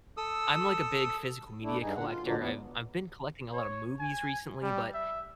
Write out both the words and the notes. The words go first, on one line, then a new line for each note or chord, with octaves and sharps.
I'm like a big physical media collector. I've I've been collecting a lot of movies recently, but
A4 D#6 E6
A3 D4 E4
G2 D#4 G#4
B2 D3 F#5
F4
B2 D3 F3 F#3 A#3
E2 B3
C#5
G#5
G3
E5